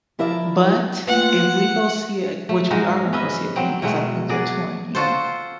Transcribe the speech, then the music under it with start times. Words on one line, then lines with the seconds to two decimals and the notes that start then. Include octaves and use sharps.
but if we go see it, which we are gonna go see it again 'cause I think they're touring again,
0.19 F3 E4 A#4 D5 E5
1.07 A3 A#3 F4 B4 F#5
2.49 A3
2.70 G#2 G#3 D#4 F#4
3.13 C#4 B4 D#5 E5
3.56 F#3 C4
3.82 B2 F#3 G#3 A3
4.29 F#3 F#4 G#4 D5
4.95 F4 F#4 A4 C5